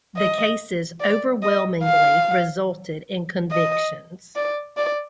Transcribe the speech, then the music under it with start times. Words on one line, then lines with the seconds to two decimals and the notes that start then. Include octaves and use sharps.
The cases overwhelmingly resulted in convictions.
0.17 D#5
1.00 D5
1.43 D#5
1.84 F5
3.51 D#5
4.36 D5
4.77 D5